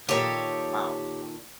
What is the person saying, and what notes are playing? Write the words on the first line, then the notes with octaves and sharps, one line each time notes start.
Um, wow.
A#2 D#3 G4 A4 C#5